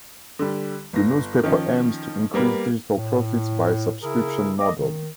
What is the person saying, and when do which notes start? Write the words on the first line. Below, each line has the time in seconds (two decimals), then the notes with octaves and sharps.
The newspaper aims to increase digital profits via a subscription model.
0.39 D3 G3
0.93 G1 A#6
1.43 D#3 F3 C#4
2.34 G3 A#3 B3
2.93 A2
4.02 C#3 E4 G#4 A#4
4.59 D#5 D6
4.77 D#3